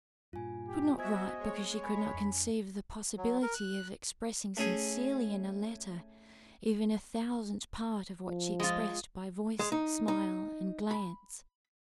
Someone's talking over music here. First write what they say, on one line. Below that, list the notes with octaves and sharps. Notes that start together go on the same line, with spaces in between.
She could not write, because she could not conceive the possibility of expressing sincerely in a letter even a thousandth part of what she expressed by voice, smile, and glance.
G2 A#2 F4 G#5
G4
B3 F#4 C5 D#5 E5 G#5 G#6
G#3 C#5
G#5 B5
F2 D4
F#3
A#4
F#6
A3 C#4 G#4
F3
G#3 F4
G#3
D#4
D#4
B5